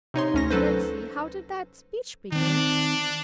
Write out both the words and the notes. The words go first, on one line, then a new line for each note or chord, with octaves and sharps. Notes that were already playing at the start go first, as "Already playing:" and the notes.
Let's see--how did that speech begin?
C3 D#4 C#5 C6
D2 C#4 A#6
F#3 A4 B4 C5
D#3 C4 D4